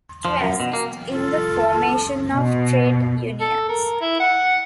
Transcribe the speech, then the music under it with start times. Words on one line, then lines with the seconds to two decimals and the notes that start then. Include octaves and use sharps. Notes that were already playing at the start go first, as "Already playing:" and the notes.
To assist in the formation of trade unions.
0.25 F3
0.41 F#2
0.60 B2
0.73 A#3
1.12 F4 A4
1.58 A5
2.33 B2
3.40 A4
3.69 A#4
4.01 E4
4.20 F#5